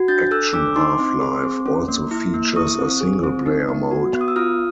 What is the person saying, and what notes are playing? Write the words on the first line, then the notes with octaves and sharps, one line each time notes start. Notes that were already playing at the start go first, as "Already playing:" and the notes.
"Action Half-life" also features a single player mode.
Already playing: F#4
D4 G6 A6
A4 E6 F#6
D4 D6 E6
D#4 C6 D6
C4
G#4
C4
C#4
A#3
E4
A#3
E4 C#6 D#6
C4
G#4
C4
D#4
B3
F#4
B3
D#6
E6
F4 D#6 F6